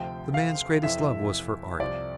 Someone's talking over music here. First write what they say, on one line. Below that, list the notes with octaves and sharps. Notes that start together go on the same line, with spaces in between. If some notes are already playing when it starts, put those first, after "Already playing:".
The man's greatest love was for art.
Already playing: D2 C3 F3 G5
F5
F2 C3 E3 E5
C2 C3 F3 D5